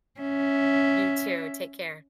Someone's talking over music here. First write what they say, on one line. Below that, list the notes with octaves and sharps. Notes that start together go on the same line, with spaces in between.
You too. Take care.
C#4 E5